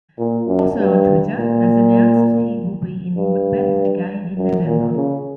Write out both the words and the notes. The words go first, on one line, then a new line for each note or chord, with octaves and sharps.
Also on Twitter has announced he will be in Macbeth again in November!
A#2
F#2
G2
A#2
G2
F#2
A#2
C#3